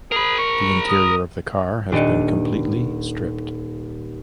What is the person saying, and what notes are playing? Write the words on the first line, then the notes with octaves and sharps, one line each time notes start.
The interior of the car has been completely stripped.
G#4 A#4 B5
C#6
D#6
D#1 D4 D5 D#5 C#7